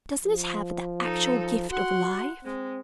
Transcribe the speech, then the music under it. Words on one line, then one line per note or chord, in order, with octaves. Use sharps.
Doesn't it have the actual gift of life?
F3
D#4 A4
F#4 F#5 C6
G#3 C4